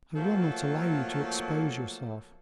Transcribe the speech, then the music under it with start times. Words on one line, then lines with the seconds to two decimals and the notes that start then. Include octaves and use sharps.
"I will not allow you to expose yourself."
0.17 F3 F#3 A3 A#3 A4